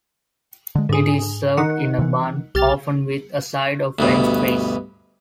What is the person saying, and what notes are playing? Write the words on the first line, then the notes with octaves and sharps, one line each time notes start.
It is served in a bun, often with a side of French fries.
D3 G#3
G#2 D3 G#4
D#3 D#4 F#5
C3 E3
B1 G4 F6 A6
D2 G2 B2